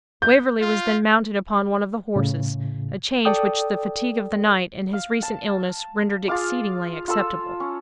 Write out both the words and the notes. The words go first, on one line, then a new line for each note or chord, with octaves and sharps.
Waverley was then mounted upon one of the horses, a change which the fatigue of the night and his recent illness rendered exceedingly acceptable.
G6
F4
A2 C#3
A4 D5 G5 D#6
F5
A5
F4 G#4 F5 D6
F4 A4 C6 E6
C#4